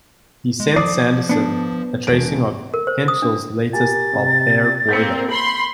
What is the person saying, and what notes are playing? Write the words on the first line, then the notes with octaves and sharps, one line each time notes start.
He sent Sanderson a tracing of Henschel's latest Belpaire boiler.
G#3
F3 D5 D6 D#6 C7
B3 D4
E1 D7
A#4
C5
D#6
D4
G4 A#4 G#5 A6
C3
A#3 C4 A#4 G6 B6 C#7
B5 C6 C7